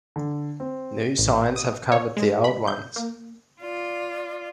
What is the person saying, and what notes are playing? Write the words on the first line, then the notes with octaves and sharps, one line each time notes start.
New signs have covered the old ones.
D3
C4
A1
D#6
C#5
G#3
B5
G6
A#3
F4 D5